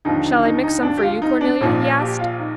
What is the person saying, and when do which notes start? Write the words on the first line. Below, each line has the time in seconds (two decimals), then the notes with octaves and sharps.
"Shall I mix some for you, Cornelia?" he asked.
0.05 D#2 D3 F3 D#4
0.24 D#4
0.44 D#4
0.63 D#4
0.83 D4
0.98 G4
1.02 F4
1.22 D#4
1.41 D4
1.61 A#1 A#2 F3 D#4
1.80 F4
2.00 G4
2.19 F4
2.39 D#4